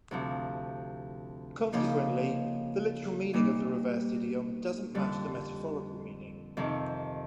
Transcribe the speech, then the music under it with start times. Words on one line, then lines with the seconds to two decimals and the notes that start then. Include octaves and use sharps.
Consequently, the literal meaning of the reversed idiom doesn't match the metaphorical meaning.
0.11 D2 C3 F3
1.73 C#3 F3 A#3 D#4
3.33 A#2 G3 A#3 D#4
4.95 F2 D3 G3
6.57 F2 C3 D#3